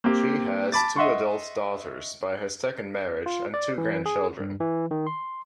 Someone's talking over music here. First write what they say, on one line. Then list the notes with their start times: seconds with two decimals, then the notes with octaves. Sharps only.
She has two adult daughters by her second marriage and two grandchildren.
0.04 A#3 C4 G4
0.72 A5 B5 D6 A6
0.96 D#5 E5 F#5 C6 C#6
3.26 F4
3.54 D5
3.78 E3
4.06 G#4
4.40 G2
4.60 E3
4.91 D#3
5.07 C6